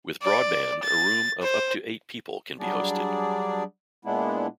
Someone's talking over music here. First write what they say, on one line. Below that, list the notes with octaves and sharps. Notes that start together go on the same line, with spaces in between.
With broadband, a room of up to eight people can be hosted.
D5
A6
C5
F#3 G3 D4 G#4 D5
A#2 G#3 B3 D4 E4